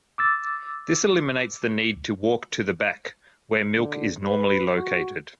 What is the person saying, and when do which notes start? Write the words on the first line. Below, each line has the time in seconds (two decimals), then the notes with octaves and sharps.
This eliminates the need to walk to the back, where milk is normally located.
0.18 D6 E6 A6
3.78 D3
4.23 B4
4.77 F#4